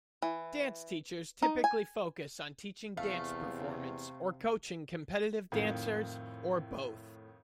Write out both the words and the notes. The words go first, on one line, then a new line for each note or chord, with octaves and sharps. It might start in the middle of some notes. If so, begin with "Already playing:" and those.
Dance teachers typically focus on teaching dance performance, or coaching competitive dancers, or both.
E3
D#4
G#5
E2 C3 A3 F5
F2 A2 D#3